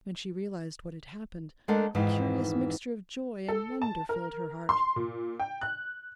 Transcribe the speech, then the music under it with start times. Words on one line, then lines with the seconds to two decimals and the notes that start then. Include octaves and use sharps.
When she realised what had happened, a curious mixture of joy and wonder filled her heart.
1.68 G#3 A3 D4 A4 A#4 F#5
1.95 F2 G#2 D#3 E3
3.48 A4
3.82 A5
4.09 A#4
4.69 C6
4.96 A#2
5.40 G5
5.61 F#6